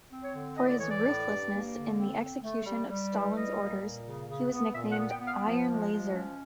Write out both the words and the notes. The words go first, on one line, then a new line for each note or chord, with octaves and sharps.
For his ruthlessness in the execution of Stalin's orders, he was nicknamed "Iron Lazar".
C4
C#5
D3
A2 D#5
D5
E3 C#5
D5
A2
G2
A#3
D3
C4
C4
A3
G3
G3
E3
G3 D#5
A#2
A#2
C#3
C#3
B3
A#2 E5
F#5
B3
G5
B3
F5
F3
G#3
F3
C#4